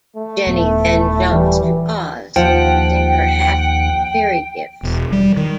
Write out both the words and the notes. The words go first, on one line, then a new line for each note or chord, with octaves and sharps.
Jenny then jumps to Oz using her half-fairy gifts.
A3
D#1 B3
E4
E3 G3
D#2 F3 F#5 G5
E1
G3
D#3